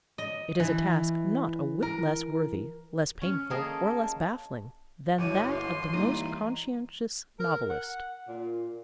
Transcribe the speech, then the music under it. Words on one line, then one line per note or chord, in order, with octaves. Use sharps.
It is a task not a whit less worthy, less painful, or less baffling than that of the most conscientious novelist.
D#5
E3
A#4
C#4
A#3 G#4 A4 D#5 G5
G1 E4 F#4 C#5 F#5 D6 D#7 E7
C#5 F5 C6 D#7
E3 G3 A#3 D#4 E4 A#5
A#4
F#5
A#2